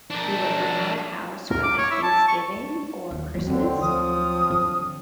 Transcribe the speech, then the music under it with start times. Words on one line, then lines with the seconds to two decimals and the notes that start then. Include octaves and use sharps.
we would rent out a house for, like, Thanksgiving or Christmas,
0.10 D4 A#4
1.51 A#4
1.63 D6
1.78 C#5
1.91 E4
2.03 A5
2.28 C#6
3.11 D#2
3.35 E2 F#3 A#3
3.47 D2 D3 C4
3.81 F3 D#6
4.50 D3